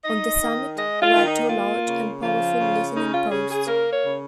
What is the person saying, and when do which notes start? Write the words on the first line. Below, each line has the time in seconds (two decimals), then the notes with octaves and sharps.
On the summit were two large and powerful listening posts.
0.04 D#4 D#5
0.41 D#3
0.77 G#3 D#5
1.01 F4
1.14 D#3
1.25 D#4
1.49 A#3 F4
1.87 C#3
2.22 F3 F4
2.59 C#3
2.95 C#4 D#4
3.13 F4
3.31 C#3 G#4
3.50 G#4
3.67 A#3 A#4
3.91 C#5
4.04 C#3